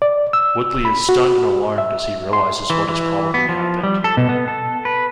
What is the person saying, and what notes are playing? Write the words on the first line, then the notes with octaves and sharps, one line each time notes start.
Woodley is stunned and alarmed as he realizes what has probably happened.
D5
E6
B5
F#4
E5
C6
E3
E3
B3
F3
G3
A4
B2
B3
A4
B4